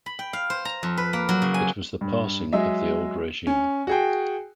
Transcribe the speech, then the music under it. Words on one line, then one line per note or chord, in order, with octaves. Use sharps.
It was the passing of the old regime.
B5
G5
F5
C5
A#5
F2
B4
A#3
F#3
C#3
G#5
G2
F#3 G#3 D#5 E5
C#4
F#4 G#4 G5